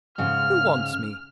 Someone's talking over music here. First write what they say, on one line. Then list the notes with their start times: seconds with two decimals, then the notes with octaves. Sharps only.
"Who wants me?"
0.18 G#2 C#3 G#3 F6